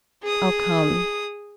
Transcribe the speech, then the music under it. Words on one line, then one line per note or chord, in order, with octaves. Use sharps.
"I'll come."
G#4 D#6